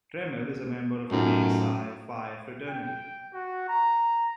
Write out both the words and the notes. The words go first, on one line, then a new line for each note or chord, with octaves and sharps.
Trammell is a member of Omega Psi Phi fraternity.
F#2 A2 D#4 F4
G5
F#4
A#5